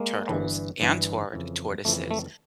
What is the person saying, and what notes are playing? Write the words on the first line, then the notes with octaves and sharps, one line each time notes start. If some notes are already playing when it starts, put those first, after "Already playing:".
turtles and tort tortoises,
Already playing: G#3 A#3
G1 G2 E3
G1 G2 E3
F2 C#3 E3
F2 C#3 E3 A3
A3